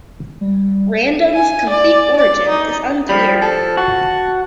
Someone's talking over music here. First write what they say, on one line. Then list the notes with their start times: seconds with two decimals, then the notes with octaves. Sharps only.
Random's complete origin is unclear.
0.41 G3
1.34 G#5
1.69 D5
2.17 D5
2.48 D#4
3.09 F3 G3 B5
3.41 F3 A4
3.77 F#4 A5